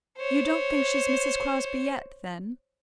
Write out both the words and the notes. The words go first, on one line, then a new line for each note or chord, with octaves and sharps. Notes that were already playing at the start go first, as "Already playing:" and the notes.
"You don't think she's Mrs. Crosbie yet, then?"
C5 C#5